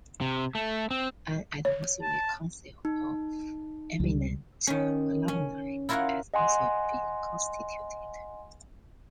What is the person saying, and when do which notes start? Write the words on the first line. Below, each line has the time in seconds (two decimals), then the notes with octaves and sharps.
An Advisory Council of eminent alumni has also been constituted.
0.21 C3
0.55 A3
0.91 C4
1.65 C#5
2.02 A5
2.85 D#4
4.00 C#2 G3
4.67 D#3 C#4
5.28 C#4
5.89 E4 F4 A#4 C#5 F5 F#5
6.34 D#5 F#5 G#5 C6